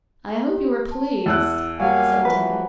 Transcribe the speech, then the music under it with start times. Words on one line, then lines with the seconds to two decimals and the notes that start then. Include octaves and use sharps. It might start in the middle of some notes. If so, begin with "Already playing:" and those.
"I hope you were pleased," said Tibby.
0.48 G4
0.91 A5
1.26 E2 E4 A5 E6 F#6 A6
1.79 F#3 G3 A#3 D5 F5 G#5
2.25 E3 F3 B4 G#5 A#5